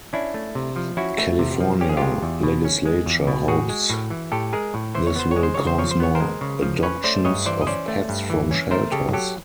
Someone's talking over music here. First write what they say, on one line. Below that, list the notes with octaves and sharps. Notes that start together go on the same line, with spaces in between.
California legislature hopes this will cause more adoptions of pets from shelters.
C#4 D4 E4
A3
C3
F3
C#4 E4 F#4
A3
C3
F3
C#4 G4
G#4
G#3 F4 G4
E2
B2
C#4
G#3
E2
B2
A2 F#4 G#4
G#3
A2
E3
A2 G4 A4
G#3 G#4 A#4
A2
E3 C5
C#5
B3 C5
C#5
G#3
C5
C#3 C#5
C5
F3 C#5
C5
B3 C#5
A#4 C5
G#3
C#3
F3
C#4 B4 C#5
A3 C5 D5
G2 C#5 D#5
E3 C5 D5
D#5
C#4 C5 D5
A3
G2
E3
C#4
A3 A#4 C5
C#3 G4 A4
F#3 G4 A4